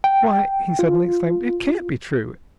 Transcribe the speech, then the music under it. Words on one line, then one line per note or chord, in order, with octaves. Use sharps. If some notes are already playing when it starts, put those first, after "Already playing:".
Why!" he suddenly exclaimed, "it can't be true.
G5
F4